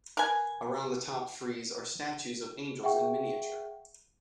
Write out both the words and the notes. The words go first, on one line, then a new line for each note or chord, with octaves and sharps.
Around the top frieze are statues of angels in miniature.
A#4 B4 G#5
G#4 E5 F#5 G5 C#6